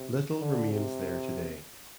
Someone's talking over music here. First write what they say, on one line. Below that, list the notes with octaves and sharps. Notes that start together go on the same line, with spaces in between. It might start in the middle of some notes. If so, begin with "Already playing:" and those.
Little remains there today.
Already playing: C3
D3
C3